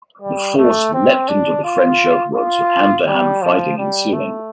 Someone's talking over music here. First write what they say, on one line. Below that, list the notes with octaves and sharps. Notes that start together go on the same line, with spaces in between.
The force leapt into the French earthworks, with hand-to-hand fighting ensuing.
G3
A3
C4
D4
F4
F4
G3
F3
G3
A3